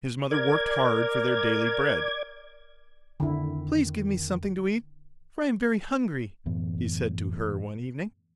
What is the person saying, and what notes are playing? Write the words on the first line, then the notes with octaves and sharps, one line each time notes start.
His mother worked hard for their daily bread. "Please give me something to eat, for I am very hungry," he said to her one evening.
A#4 D5 G#6
F2 D3 D#3 D#4 E4
F#2 A2 E3 B3